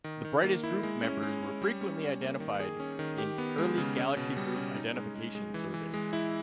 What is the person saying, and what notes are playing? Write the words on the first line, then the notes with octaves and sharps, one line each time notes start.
The brightest group members were frequently identified in early galaxy group identification surveys.
D#3
D#3
A#3
E4
G#3
C#4
G#3
C#4
G3
C#4
C#4
A#3
D#3
G#4
C#4
D#3
G4
B3
G#3
C#3
C#4
B2
G3
C#4
D#4
G#3
G#3
G#3
E3
E3
G#3
E4